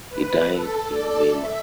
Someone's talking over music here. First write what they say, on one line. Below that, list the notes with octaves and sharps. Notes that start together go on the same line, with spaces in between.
He died in Weimar.
B4
A4
A4 D5
E5